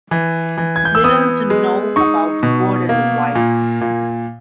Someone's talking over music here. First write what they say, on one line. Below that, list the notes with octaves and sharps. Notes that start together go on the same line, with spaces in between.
Little is known about the bird in the wild.
E3
E3
G#6
G6
E6
B3 D#6
G#3
D#4 C#6
B2
A#3
A#2
A#2